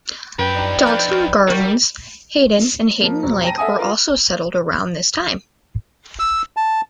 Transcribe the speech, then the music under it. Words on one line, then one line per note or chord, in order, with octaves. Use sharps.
Dalton Gardens, Hayden, and Hayden Lake were also settled around this time.
F#2 F3 B4 G5
D4 D#4 G4
B4 F6 G6 A6
G3 F#4 A#4
F3 A#3
E1 F#3
G5 A5 A#5 A#6 D#7
A4 E5 F#5 G#5 D#6
F4 A#4 B4
E6
A5